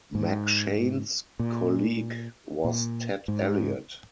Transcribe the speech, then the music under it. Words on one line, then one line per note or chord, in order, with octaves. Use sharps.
McShane's colleague was Ted Elliott.
G#2
A#2
A#2
G#2